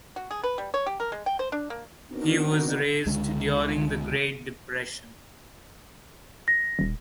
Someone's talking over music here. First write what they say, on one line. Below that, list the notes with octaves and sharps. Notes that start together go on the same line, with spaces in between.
He was raised during the Great Depression.
F#4
G#4
B4
G3
C#5
G4
A#4
G#3
G5
C5
D4
A#3
B3 C4 D4 D#4 F#4 A#4
C#2 D3 G#3
A#6
D#1